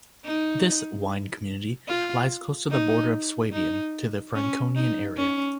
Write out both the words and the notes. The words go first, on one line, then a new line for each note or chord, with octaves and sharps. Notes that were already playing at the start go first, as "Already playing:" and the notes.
This "wine community" lies close to the border of Swabian to the Franconian area.
D#4
F4
D#4
D#4
C#4
D#4
C#4